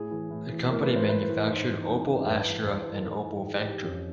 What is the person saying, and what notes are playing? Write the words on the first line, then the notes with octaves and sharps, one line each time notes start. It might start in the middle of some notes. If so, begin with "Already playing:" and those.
The company manufactured Opel Astra and Opel Vectra.
Already playing: A2 G#4
E3
A2
E3
A2 A#4
B4
E3
C5
A2 B4
E3
G#2 C5
E3
G#2
E3
G2 B4
E3
G2
C5
E3 B4
A#4
G#2 A4
E3
G#2 G#4
G4
E3
G4
F2 C#4